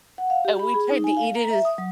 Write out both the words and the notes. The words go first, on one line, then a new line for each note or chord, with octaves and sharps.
And we tried to eat it as
F#5
F5
G4
B5
G#4
D#4
G#5
F5
A#5
E5
D#6
F#3